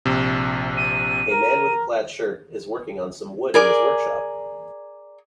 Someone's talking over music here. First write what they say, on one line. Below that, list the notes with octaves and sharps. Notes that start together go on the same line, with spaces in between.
A man with a plaid shirt is working on some wood in his workshop.
A#1 C3
D#7
A#4
G#4 A#4 D5